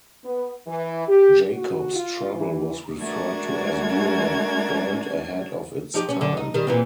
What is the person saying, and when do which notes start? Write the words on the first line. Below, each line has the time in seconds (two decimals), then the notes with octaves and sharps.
Jacob's Trouble was referred to as being a band ahead of its time.
0.24 B3
0.67 E3
1.07 G4
1.50 F#4
1.95 F4
2.35 E3
3.00 G#3 A3 D4 F#4 A#4 G#6
5.94 F3 D#4 G4
6.09 C#4
6.21 D3
6.37 D#4
6.54 D#3 G3
6.67 A#2 E3 C4